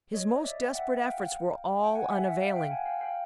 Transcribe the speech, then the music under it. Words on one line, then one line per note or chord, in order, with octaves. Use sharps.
His most desperate efforts were all unavailing.
C#5 D#5
D#5
D5 E5
G5
E5 F#5
F#5
F5 G5
G5
F#5 G#5
E5 F#5
E5 F#5
F5 G5
F5 G5
F#5 G#5
F5 G5
F5 G5